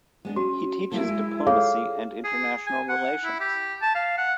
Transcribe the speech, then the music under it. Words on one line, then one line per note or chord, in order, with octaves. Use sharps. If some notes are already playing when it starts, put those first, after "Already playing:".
He teaches diplomacy and international relations.
G#3 B3 D4
C#4 F#4
G3 A#3 E4 A4
G#3
G#4 A4 C#5 F5
G#4
G#5
F#5
E4
G4
A5
F5
F#5